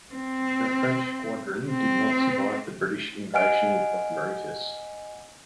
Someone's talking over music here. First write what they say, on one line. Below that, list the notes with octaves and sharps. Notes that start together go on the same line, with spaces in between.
The French squadron did not survive the British invasion of Mauritius.
C4
C4
D#5 F#5 G#5 F6 D7